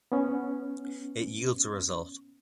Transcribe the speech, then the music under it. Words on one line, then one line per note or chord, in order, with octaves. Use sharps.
It yields a result.
B3 C#4